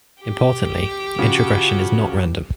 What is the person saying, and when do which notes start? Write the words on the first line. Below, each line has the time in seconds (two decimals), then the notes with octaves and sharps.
Importantly, the introgression is not random.
0.22 G4
1.19 C#3 F3 F#4